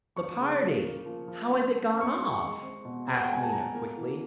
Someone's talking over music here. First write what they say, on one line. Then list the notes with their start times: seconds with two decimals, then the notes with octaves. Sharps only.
"The party, how has it gone off?" asked Lena quickly.
0.16 F3 C#6
0.39 C#3
0.61 F3
0.83 A#3
1.06 F3
1.28 F3
1.51 C#4
1.73 C#4
1.96 C4
2.01 C#6
2.10 C6
2.18 G#3
2.25 C#6
2.40 G#3 C#6
2.63 C4
2.85 B2
3.07 C4
3.14 F#5
3.24 G5
3.30 G#3 G#5
3.43 A5
3.52 B2 A#5
3.75 A#3
3.97 E3